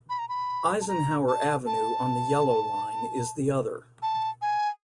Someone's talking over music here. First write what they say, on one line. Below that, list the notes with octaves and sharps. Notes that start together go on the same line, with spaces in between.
Eisenhower Avenue on the Yellow Line is the other.
B5
A#5
B5
A5
A#5
A5
A5
A5
G#5